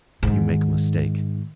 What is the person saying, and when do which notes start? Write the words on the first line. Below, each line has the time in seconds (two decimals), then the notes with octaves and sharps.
"You make a mistake."
0.23 G#2 D#3